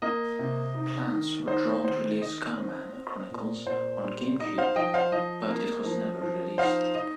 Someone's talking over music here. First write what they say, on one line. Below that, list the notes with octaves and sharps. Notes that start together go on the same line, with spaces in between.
Plans were drawn to release Gunman Chronicles on GameCube, but it was never released.
A#3 D#5
C3
D#4
D#3
D#4 C5
D#3 C5
D#3 D#5
C4
C4
A#2
A#2 C5
G3
D#4 D#5
C5 F5
F3 D#5 G5
C5 F5
F3 D#5
A#3
F3
F3
D#4 C5 F5
D#4 D#5